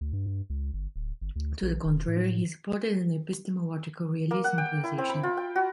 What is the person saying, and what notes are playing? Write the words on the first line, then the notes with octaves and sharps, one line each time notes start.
To the contrary, he supported an epistemological realism position.
D2
G2
G2
C#2
G1
D1
G1
D2
A#1
E1
A2
A#3
F#5
G5
E4
C4
B5
F4
G5
F#4